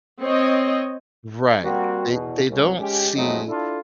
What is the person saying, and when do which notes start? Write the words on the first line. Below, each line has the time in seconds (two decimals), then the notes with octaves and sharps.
Right, they they don't see
0.22 C4 C#5 D#5
1.65 G3 A#3 C4 F#4
2.09 E2 B2
2.49 C2
2.80 G#3 C#4 G4
3.15 F2 F#3 G#3 A3 D#4
3.48 D4 E4 F4 A4